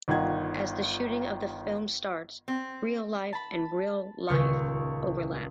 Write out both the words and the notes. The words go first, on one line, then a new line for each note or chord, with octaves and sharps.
As the shooting of the film starts, reel life and real life overlap.
G1 D#3 F4 F#5 G#6
C4
A5 B5
D#1 C#2 C#6